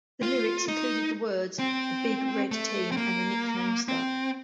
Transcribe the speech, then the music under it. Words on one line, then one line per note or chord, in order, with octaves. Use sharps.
The lyrics included the words "the big, red team," and the nickname stuck.
F4
D#4
C4
A3
C4
A#3
C4